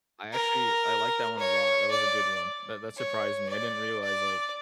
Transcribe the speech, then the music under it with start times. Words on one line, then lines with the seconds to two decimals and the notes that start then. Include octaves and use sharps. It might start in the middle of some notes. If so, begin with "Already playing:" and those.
I actually, I like that one a lot, that was a good one, that that surprised me. I didn't realize, like,
0.33 A#4
1.39 C#5
1.91 D5
2.97 C#5
3.49 D5
4.03 D5